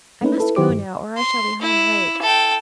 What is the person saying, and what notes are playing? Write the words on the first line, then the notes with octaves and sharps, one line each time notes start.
I must go now or I shall be home late.
A3 A#3 C#4 D#4 B4
E4 A4 B4
D#3 F#3 E4 G4 C5 D6
G2
C6
E4
A4 G5